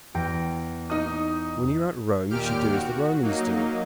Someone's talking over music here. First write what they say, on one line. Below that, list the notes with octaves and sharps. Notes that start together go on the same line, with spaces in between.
When you are at Rome you should do as the Romans do.
E2 G5 A#6
D#4 D#6
D#2 A#2 G4 F6 D7
F#4
F#3 A#3 D#4